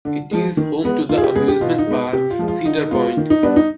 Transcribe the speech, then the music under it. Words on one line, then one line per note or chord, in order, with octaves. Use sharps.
It is home to the amusement park Cedar Point.
D3
F3 G#3
D#3
G#3 B3
D#3 F4
G#4
G4
G#3 B3 G#4
G4
B2 F4
D#4
G#3 B3
C3 G4
F4
F3 G#3
F4
D3 D#4
G#3 B3 F4
D#3
D#4
G3 B3 D4
D#4